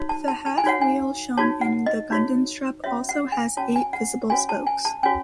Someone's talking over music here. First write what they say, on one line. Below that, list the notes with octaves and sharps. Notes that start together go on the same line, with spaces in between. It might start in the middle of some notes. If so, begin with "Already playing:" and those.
The half-wheel shown in the Gundestrup also has eight visible spokes.
Already playing: D#4 F#4 C#5
A5
A5
A5
G#5
D#4 F#4 C#5 F#5
G#5
D#4 F#4 C#5 A5
F#5
D#5
D#4 F#4 C#5
C#4 F#4 C#5 E5
F#5
G#5
C#4 F#4 C#5 A5
G#5
F#5
C#4 F#4 C#5 G#5
A5
G#5
A5
C#4 F#4 C#5 G#5